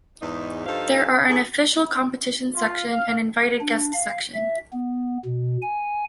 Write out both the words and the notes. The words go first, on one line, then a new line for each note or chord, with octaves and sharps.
There are an official competition section and invited guest section.
E2 G#2 D#4
G2 F3 D#4 A4 C5 F5
A2 D#4 E4 G#4
F4
F5
D4
F5
E5
B3
B2
G#5